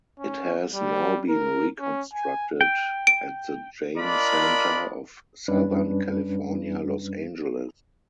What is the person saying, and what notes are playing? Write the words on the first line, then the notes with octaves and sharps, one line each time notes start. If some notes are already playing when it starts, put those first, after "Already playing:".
It has now been reconstructed at the Jain Center of Southern California, Los Angeles.
C#4
G3
A#4
C#4
G#5
G5
D7
D4 F4 A#4 D5 D#5 B5
F#2 G3 C#4 D4 B4